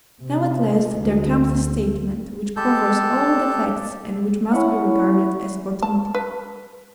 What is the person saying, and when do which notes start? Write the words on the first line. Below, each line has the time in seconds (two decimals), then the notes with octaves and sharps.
Now, at last, there comes a statement which covers all the facts, and which must be regarded as authentic.
0.23 C3
0.99 D2
2.57 G#3 G4 A4 A5 G6
4.52 C#4 E4 F#5
5.82 A5
6.15 B4